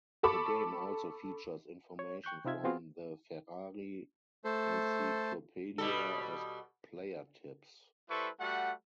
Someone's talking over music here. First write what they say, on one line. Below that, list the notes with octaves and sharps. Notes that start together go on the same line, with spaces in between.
The game also features information from the Ferrari Encyclopedia as player tips.
A4 A5 B5 C#6 D6
C#5
G5 C#6 F#6 G6
C3 C4 D#4 F4 E5 G#6
B3 C4 F4 F#4 G#4
A3 A4 C5
B2 G3 A4
G3 E4 A4 B4 C5 C#6
G3 A3 F#4 F#5